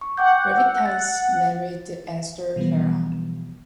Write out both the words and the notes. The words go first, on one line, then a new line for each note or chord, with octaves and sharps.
Levitas married Esther Fera.
C#6
F#5 G5 D6 G6
E6
A6
B2 E3 F3 G3 B3